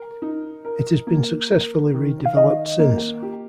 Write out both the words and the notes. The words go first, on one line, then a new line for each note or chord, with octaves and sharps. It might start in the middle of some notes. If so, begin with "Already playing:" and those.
It has been successfully redeveloped since.
Already playing: A#4
D#4
A#4
A#3
A#4
D#3
F5
D#3 D#5
A#3
G4